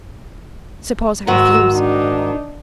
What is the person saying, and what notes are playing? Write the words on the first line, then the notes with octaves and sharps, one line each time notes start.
"Suppose I refuse?"
G#2 D#3 F#4 A#5 E6
D4 D#4